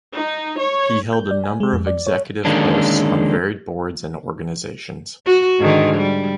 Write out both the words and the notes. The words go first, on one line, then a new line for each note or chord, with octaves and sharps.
He held a number of executive posts on varied boards and organizations.
D#4
C#5
G6
D5
G#5
G#3
F2
D5
C#5
D3 D#3 G#3 A#3 C#4 D4
F#4
G#2 D3 D#3
G3